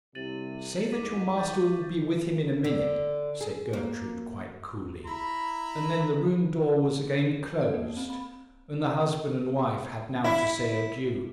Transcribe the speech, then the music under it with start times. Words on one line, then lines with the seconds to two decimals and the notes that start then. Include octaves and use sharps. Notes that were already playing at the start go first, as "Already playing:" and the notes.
'Say that your master will be with him in a minute,' said Gertrude, quite coolly; and then the room door was again closed, and the husband and wife had now to say adieu.
0.15 C2 C3 A6 D#7 F#7
0.91 E2 G#2 D6 B6 D#7
1.35 C#6 G6 A6
2.64 D3
3.41 G#4
3.73 A#3
5.06 E4 A#5 B5
7.43 G6
7.61 A4
7.74 A#3
7.97 C4
8.10 B5
10.24 E4